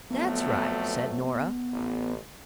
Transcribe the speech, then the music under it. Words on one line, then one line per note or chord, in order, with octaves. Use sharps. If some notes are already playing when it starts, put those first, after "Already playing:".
"That's right," said Nora.
F2 F#3 A3 B3
A1